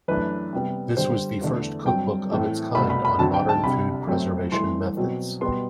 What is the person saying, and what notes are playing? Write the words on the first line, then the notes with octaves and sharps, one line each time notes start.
This was the first cookbook of its kind on modern food preservation methods.
F#2 E3 A3 D4 B4
C3 G3 B3
G2 D3 G3 C5
E2 D3 A3
G2 F#3 C4 G5
A2 E3 A3 C4
C2 B2 A3 B5
B5
B5
D2 D3 F#3 C4 A5
G5
A5
C2 C3 G3 D4 B5
F#2 F#3 A3 C4
G2 E3 A3 C6
B2 F#3 C4
B2 G3 B3 C6